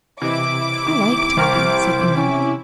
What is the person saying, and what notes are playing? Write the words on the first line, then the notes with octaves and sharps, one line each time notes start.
'I like Toby,' said Una.
C3 E3 E4 D#5 D6
D#3
C2 A#4 C5 C#6
C#4